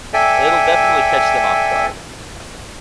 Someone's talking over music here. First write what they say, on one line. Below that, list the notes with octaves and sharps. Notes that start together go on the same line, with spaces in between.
It'll definitely catch them off guard, uh
A4 D5 E5 G5 G#5